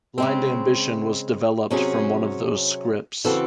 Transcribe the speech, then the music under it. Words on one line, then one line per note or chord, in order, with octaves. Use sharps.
"Blind Ambition" was developed from one of those scripts.
C#3 G#3 C4
C3 F#3 C#4 G#4
C#3 E3 C4 F#4 A4